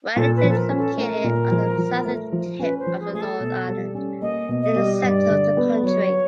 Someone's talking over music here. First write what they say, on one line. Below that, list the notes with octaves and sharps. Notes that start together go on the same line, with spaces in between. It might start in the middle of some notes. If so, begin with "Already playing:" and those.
Wellington is located on the southern tip of the North Island in the center of the country.
A#2 A4
B4
F3
A4
A#4
C#4
A4
A3 A#4
A#2
F3
F3
A3
F3
C#4 B4
C5
F3
G#4
A3 G#4
A4
B2
G3
C#4
A#3 D#5
B2
D#5
G3
G2 D5
D3
B3
F#3 C#5